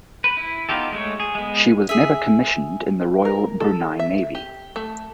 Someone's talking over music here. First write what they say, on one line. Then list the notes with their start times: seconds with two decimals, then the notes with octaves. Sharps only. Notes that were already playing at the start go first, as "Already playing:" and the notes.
She was never commissioned in the Royal Brunei Navy.
0.24 B4
0.37 E4
0.69 B3 D#4 F4 G4 A4
0.92 G#3 A3 C#5
1.20 G#4
1.35 G#3 B3
1.89 G#4 E5
3.25 A#4
3.60 A4
3.99 E5
4.35 G4
4.76 A3